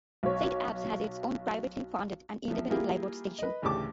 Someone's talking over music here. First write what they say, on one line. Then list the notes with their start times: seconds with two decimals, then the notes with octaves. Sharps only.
Saint Abbs has its own privately funded and independent Lifeboat Station.
0.23 B1 C#5
2.48 E2 F3 E5
2.70 G3 A#3 E4 F4 G4 G#4
3.38 B4 D#5
3.62 A1 D2 C#3 G4 A5 D6